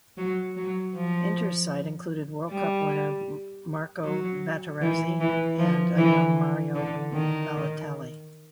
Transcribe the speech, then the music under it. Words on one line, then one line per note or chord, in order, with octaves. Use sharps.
Inter's side included World Cup winner Marco Materazzi and a young Mario Balotelli.
F#3
F#3
F3
G3
F#3
E3
E3
F3
E3
D3
D#3